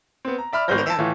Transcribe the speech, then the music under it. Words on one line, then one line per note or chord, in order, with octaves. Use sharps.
Oh, yeah.
B3 C4
A#5
D5 E5 B5 F6
G#1 B3 C5 G6 A#6
A5 E6
A2 E3 A3 F4